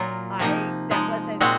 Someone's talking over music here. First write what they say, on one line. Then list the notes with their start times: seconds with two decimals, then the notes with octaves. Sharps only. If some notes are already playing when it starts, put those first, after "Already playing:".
I that wasn't
Already playing: A#2 F#3 A#3 F4
0.39 C3 F3 A#3 D#4
0.91 F3 G#3 D#4
1.40 A#2 G#3 C4 F#4